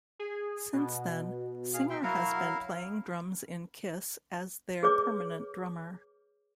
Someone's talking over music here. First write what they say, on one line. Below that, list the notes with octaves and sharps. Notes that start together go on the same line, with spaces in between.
Since then, Singer has been playing drums in Kiss as their permanent drummer.
G#4
B2
G#4 F5
E5 G5 C6
F#3 E4 A#4 F5
G#4 B4 C#5 D6